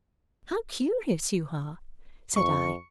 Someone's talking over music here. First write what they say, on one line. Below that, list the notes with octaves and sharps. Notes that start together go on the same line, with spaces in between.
"How curious you are!" said I.
F2 C#6